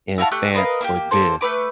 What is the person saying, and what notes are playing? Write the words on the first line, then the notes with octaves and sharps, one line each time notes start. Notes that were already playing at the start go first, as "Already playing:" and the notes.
and stance for this."
E4 F#4 F5 A5
A3 G4 C#6 F#6
A#4 B4 D#5 F5
A#3 E4 G4
A#3 A4 C5
A3 D#4 B4 D6